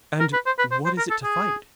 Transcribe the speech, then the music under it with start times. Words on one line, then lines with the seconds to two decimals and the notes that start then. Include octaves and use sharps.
'And what is it to fight?'
0.20 A#4
0.33 B4
0.46 C5
0.59 B4
0.71 C5
0.85 C5
0.98 A#4
1.10 A4
1.24 G#4